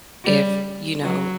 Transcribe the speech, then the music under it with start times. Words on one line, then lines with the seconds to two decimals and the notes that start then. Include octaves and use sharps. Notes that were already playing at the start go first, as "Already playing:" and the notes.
if, you know,
0.24 G3
1.02 F#3